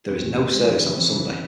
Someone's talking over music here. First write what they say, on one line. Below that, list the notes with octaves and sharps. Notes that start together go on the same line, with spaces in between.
There is no service on a Sunday.
E2 C4
E2 C#4
C#3 A#3
G#3 C4
E3 F3
C#3
C4
C#3